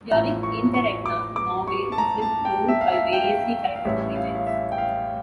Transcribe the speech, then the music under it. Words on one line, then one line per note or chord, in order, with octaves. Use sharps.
During interregna, Norway has been ruled by variously titled regents.
A1 A2 F3 A#5
C#6
C#6
D6
D6
C#6
A5
A#5
A5
G5
E5
F5
E5
G5
F5
F5
A1 A2 G3 C#4 E5
F5
F5
E5
G5
F5